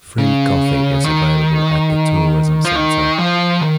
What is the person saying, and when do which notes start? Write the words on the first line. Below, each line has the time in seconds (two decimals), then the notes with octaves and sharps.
Free coffee is available at the tourism center.
0.18 C#3
1.04 D#3
2.65 F3
2.76 D#3
3.18 F3
3.61 D#3